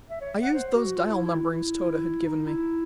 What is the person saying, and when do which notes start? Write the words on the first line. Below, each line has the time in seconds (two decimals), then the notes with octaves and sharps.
I used those dial numberings Tode had given me.
0.10 E5
0.21 C#5
0.43 F#5
0.54 C5
0.75 F#4
0.97 F4
1.11 E4
1.25 E4
1.39 E4
2.26 D#4
2.46 E4